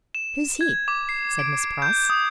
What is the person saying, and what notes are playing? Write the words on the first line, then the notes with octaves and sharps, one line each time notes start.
"Who's he?" said Miss Pross.
E7
G#6
D6
C7
D7
G6
D#6